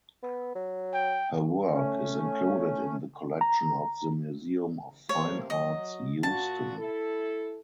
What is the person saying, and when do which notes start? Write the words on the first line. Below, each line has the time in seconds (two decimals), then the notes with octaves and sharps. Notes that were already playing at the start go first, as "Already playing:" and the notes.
Her work is included in the collection of the Museum of Fine Arts Houston.
0.23 B3
0.55 F#3
0.94 G5
1.73 A3 C#4
3.41 A#5
5.09 C3 F3 A#3 C#5
5.50 F#3 D#5
6.23 A#2 F#4 A5
6.78 E4 A4